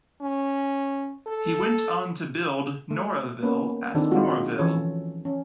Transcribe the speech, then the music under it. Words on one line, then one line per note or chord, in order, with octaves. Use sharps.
He went on to build "Norahville" at Noraville.
C#4
A4
A3
A#3 B3 C#4 B4
D#3 C4 D4 A4
F#3 G#3 C4 D#4 F4 F#4
E3 F3 C#4 A4 C#5
C#4